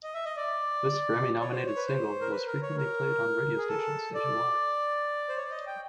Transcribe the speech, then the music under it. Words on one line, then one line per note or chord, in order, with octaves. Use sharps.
This Grammy nominated single was frequently played on radio stations nationwide.
D#5
E5
D#5
D5
C#5
C5
C#5
B4
C5
A#4
B4
A#4
C#5
A#4
G#4
A4
D5
C5
C#5
D5
D#5
G5